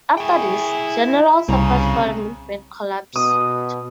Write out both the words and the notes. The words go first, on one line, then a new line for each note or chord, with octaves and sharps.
After this, general support for the movement collapsed.
E4 G#4 G5
C2 C#3 C4 A#5
B2 D#6